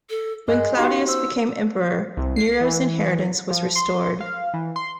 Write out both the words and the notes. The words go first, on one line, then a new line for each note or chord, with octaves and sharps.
When Claudius became Emperor, Nero's inheritance was restored.
A4
G2 G#3 A#4 D#5 F#6
B3 D#4 F#4 G4 F5 G5
C5 E6
C2
C7
E3
F3
C6
F5
E3
C6